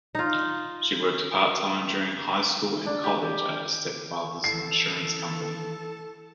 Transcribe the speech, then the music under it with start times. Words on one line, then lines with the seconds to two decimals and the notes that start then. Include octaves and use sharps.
She worked part-time during high school and college at her stepfather's insurance company.
0.15 D#4 F4
2.86 D4
3.04 G4
4.44 E3 A4 C7